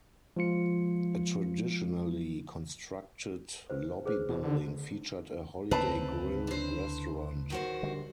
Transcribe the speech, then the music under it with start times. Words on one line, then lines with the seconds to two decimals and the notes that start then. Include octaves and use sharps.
A traditionally constructed lobby building featured a Holiday Grill restaurant.
0.37 F3 G#3 F4 C#7
3.70 B4 C5
4.05 G#4 B4 C5
4.29 B2
4.43 D3
5.71 D2 C#3 E3 C4 B4 A5
6.47 D3 C5
7.50 D#3 F#4 C5
7.83 D3 G3